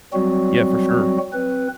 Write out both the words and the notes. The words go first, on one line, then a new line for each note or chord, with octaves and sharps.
Yeah, for sure.
F#3 G3 C4 F#4
C4 B4